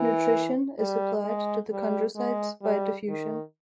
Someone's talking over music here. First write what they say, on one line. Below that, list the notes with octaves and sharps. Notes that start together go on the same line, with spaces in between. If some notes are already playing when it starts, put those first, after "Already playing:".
Nutrition is supplied to the chondrocytes by diffusion.
Already playing: E3
G3
G#3
G3
G#3
G3
D#3